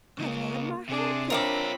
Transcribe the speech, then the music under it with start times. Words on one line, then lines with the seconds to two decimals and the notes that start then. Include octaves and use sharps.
I've had my hair cut.
0.19 C#2 C#3 A#3
0.89 C3 D4 G#4
1.30 C4 D4 F4 A#4 C#5 E5 B5 D6